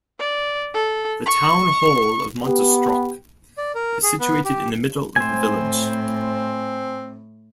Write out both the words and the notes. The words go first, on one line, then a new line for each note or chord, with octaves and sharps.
The Town Hall of Montastruc is situated in the middle of the village.
D5
A4
C#6
B3 G4
D5
A#4
G#4
B3
G4
A2 C4 C5 G#5